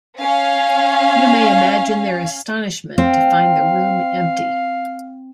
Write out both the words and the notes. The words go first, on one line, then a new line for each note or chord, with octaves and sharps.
You may imagine their astonishment to find the room empty.
C#4 F5
C4 F5